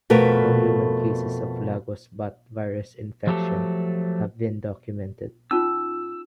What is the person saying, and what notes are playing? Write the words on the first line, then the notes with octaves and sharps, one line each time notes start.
No human cases of Lagos bat virus infection have been documented.
F2 B2 A3 A#4 B4
F3 F#3 A3 G4 A4
C#4 D#4 F4 E6